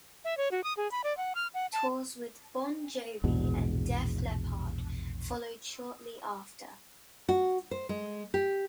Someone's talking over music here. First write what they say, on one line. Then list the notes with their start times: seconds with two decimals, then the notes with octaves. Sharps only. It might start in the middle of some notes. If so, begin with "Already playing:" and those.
Tours with Bon Jovi and Def Leppard followed shortly after.
0.25 E5
0.37 C#5
0.52 F#4
0.64 D#6
0.77 G#4
0.92 B5
1.04 D5
1.17 F#5
1.35 F6
1.54 F#5
1.73 A5
3.24 A#1 E2 G#2 B2
7.29 F#4
7.71 C5
7.89 G#3
8.34 G4